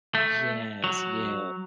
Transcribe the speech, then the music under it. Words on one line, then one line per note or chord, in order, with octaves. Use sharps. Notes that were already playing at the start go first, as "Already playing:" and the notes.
Yes, yes,
A3
F#3